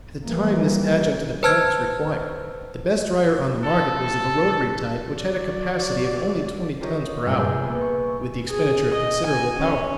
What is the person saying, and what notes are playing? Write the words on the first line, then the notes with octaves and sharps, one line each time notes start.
At the time this adjunct to the plant was required, the best dryer on the market was of a rotary type, which had a capacity of only twenty tons per hour, with the expenditure of considerable power.
E3 G3 A#3
B4 C5 A5 E6 F6 G#6
A4
F#3 D5
F4 G4 A#4 C#5 D#5
G2 A#2 G#3 F4 E6 C#7
C2 G#4 E6 G6
A#3 B3
C#6
G#4
D#5
G#5
C#4